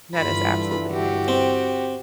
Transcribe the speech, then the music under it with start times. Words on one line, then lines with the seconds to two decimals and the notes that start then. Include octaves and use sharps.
that is absolutely amazing,
0.14 G2 D3 E3 F4 B5
0.91 F#4 G4
1.28 C4